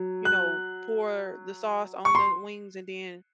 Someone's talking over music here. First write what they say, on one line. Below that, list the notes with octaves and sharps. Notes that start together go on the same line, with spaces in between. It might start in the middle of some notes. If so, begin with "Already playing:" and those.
you know, pour the sauce on the wings, and then,
Already playing: F#3
F#6
C#6
C6